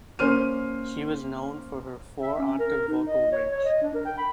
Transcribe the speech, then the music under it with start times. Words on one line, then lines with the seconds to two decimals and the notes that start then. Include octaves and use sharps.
She was known for her four-octave vocal range.
0.19 A#3 C#4 C5 F6 D#7
2.21 E5
2.38 C#4
2.59 A#4
2.88 D#4
3.07 D#5
3.32 C#5
3.50 C#5
3.65 D#5
3.82 D4
3.94 A#4
4.06 G5
4.18 B5